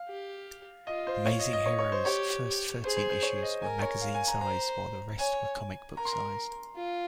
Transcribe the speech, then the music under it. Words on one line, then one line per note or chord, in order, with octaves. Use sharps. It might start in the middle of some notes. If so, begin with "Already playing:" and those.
"Amazing Heroes"' first thirteen issues were magazine-sized, while the rest were comic book-sized.
Already playing: F5
G4
F4 D#5
C5
C#5
D#5
D#5
C#5
C#5
C5
G4 C#5
G4
G#4 C5
C5
C5
C#5
D#5
A#4 G#5
C#5
F5
G#5
A#5
C5 A#5
C#5 G#5
A#4 A#5
C6
A#5
F4